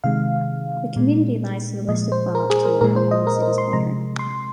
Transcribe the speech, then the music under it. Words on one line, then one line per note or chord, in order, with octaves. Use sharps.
The community lies to the west of Baltimore along the city's border.
C3 D#3 G#3 F5
A#2 G#3
A#2 F3 G#3 D#5
C5
A#4
G#4
A#4
A#2 G#3 A#4
C5
D#5
A#4
A#4
C6
C3 F3 G#3 A#5
C6